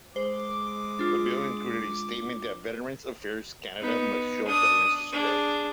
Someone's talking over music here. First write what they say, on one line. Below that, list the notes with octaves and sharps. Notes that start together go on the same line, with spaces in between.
The bill included a statement that Veterans Affairs Canada must show veterans respect.
G#3 C5 D6
D4 F4
B3 D#4
D4 D#6
D4 G#4